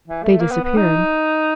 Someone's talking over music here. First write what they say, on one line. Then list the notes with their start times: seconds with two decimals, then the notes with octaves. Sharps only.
They disappeared.
0.08 E3
0.23 A3
0.40 A#3
0.51 B3
0.63 B3
0.77 D#4